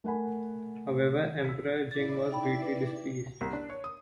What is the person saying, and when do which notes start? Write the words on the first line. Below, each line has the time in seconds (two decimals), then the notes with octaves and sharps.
However, Emperor Jing was greatly displeased.
0.04 A3 A#4 F#5 G#5 B5
1.44 E6 B6
1.91 E4 D5 A6
2.31 D#4 G5 B5
2.62 B4
3.41 C2
3.53 D4
3.70 C#5
3.84 D#6